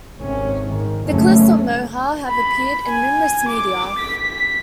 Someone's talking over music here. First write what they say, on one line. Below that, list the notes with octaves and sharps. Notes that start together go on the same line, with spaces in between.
The Cliffs of Moher have appeared in numerous media.
G#1 C3 C#4
G#2 D#3
F#1 F2 B2 G#3 A3 C#4
B5
G#5
D6
B6